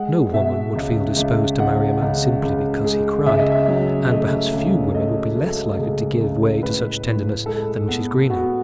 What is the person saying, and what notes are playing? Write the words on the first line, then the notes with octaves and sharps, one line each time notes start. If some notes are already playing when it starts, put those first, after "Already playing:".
No woman would feel disposed to marry a man simply because he cried, and perhaps few women would be less likely to give way to such tenderness than Mrs. Greenow.
Already playing: G#3 F#5
B2 E5
C#2
C#2
C#2 F#5
C#2
C#2
G#3
C#3 E5
D#5
E5
F#3
A3 D#5
C#2
A3 D#5
A3
C#3
C#2
A2 B4
A2
G#3 A4
B3
B3 F#4